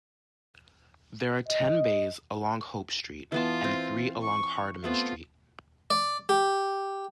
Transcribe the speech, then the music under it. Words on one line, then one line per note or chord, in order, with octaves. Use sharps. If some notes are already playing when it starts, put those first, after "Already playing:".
There are ten bays along Hope Street and three along Hardman Street.
D#5
E3 B3 F4 A5
C4
C#6
A3 B3 C4 F4
D5
G4